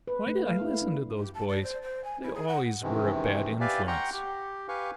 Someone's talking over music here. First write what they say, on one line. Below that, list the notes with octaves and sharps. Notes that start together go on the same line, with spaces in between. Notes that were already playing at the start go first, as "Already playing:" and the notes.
Why did I listen to those boys? They always were a bad influence!
B4
A3
F5
E4
D4
G4
A5
D5
C5
C5
G#5
E4
G#4
F#5
F#2 C3 D#3 E3 G#3
G4 B4 D5 E5 F5 G#5
F#5 G5 A#5 C6 C#6
G4
G4 B4 F5 G#5 C#6